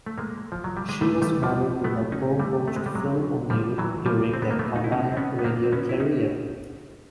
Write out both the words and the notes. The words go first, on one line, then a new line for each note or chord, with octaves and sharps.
She was married to her co host Phil O'Neil during their combined radio career.
A3
G#3 A#3
F3
F#3
G3
G#3
G3 A3
G3 A3
F3 G3
A3 B3
C#4 D#4
G3 A3
A3
G#3
G3
F#3 G#3
F3 G3
E3 F#3
F3 G3
C4
B3
A#3
A3 B3
D#4
E4
C#4 D#4
C4
B3 C#4
B3
A#3 C4
C4
B3 C#4
E4
C#4 D#4